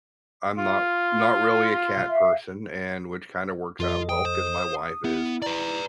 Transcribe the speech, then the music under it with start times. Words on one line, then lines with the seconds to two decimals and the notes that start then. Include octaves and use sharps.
I'm not not really a cat person, and which kinda works out well, 'cause my wife is
0.58 F4
2.07 E5 F5
3.80 F2 F4 A4 D#5
4.09 G5 D#6
4.25 C5
5.04 B3 E4
5.42 B4 D5 A#5